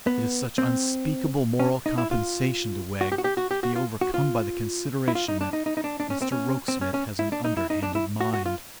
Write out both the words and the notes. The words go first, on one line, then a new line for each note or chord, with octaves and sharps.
It is such unspeakable moral compensation to Wegg, to be overcome by the consideration that Mr Rokesmith has an underhanded mind!
B3
C4
C#4
D#4
E4
F4
F#4
G4
F#4
G4
F#4
G4
F#4
F4
F#4
F4
E4
F4
D#4
D4
D#4
D#4
D#4
D4
D4
C#4
C4
C#4
C4
C#4
C#4
E4
D4
D#4
E4
D#4
D4
E4
F#4
F#4
F4